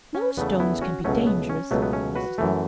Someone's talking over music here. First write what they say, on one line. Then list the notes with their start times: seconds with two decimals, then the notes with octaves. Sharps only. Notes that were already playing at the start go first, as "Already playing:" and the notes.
"No stones can be dangerous," said Mrs. Low.
0.15 C#4
0.37 E2 C#3 A3 B3
0.60 B3 E4
0.81 C#4 F#4
1.04 C#2 B2 F#3 A3 C#4
1.27 B3
1.49 C#4
1.71 C#2 B2 F#3 A3 B3
1.82 B3
1.93 C#4
2.15 F#4 B4
2.38 F#2 E3 A3